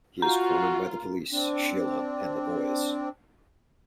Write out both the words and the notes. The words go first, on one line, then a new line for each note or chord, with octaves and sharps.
He is cornered by the police, Sheila, and the boys.
F4 F#4 A#5
C4 D4